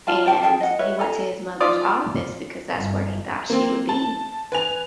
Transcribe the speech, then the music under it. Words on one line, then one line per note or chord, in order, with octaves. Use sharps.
and he went to his mother's office because that's where he thought she would be.
F4 F5 A5
G4 C5 G5 A5
G#4 A#4 G5 A5
D#5 F#5
B4 C#5 E5
A4 G#5 A#5
F4 D5 D#6
G1
A#3 C4
A5
B4 G#5 F7